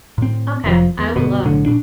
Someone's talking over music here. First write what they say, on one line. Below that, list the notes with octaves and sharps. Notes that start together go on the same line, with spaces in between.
Okay, I will look.
A2 C4
F1 A#2 F3
E2
G1 B2
B1 A2 D3
A#2 D4